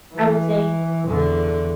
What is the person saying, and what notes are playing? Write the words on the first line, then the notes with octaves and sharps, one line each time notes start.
I would say
E3
E2 D3